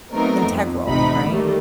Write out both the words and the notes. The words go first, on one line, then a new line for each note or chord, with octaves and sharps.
integral, right?
F#3 A3 B3 C4 D#4 A#4
F2
A1 C3 D#4 B5
D#3 G3 A3 A#3